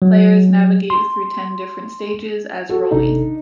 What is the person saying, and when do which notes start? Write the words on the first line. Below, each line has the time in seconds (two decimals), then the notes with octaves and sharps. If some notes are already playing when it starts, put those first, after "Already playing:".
Players navigate through ten different stages as Rollie.
0.02 F#3
0.90 C6
2.69 F#4 A4
2.91 G#1 C3 D4 D#4 A4